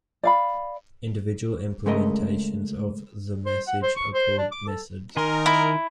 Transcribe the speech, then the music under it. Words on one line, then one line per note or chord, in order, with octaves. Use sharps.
Individual implementations of the "message" are called "methods".
D5 F5 B5
C#3 G#3 A3 A#4 D#5
C5
F#5
C5
C#6
C5
D4
D6
A4
D#3 D#4 A#4 G#5 C6
E4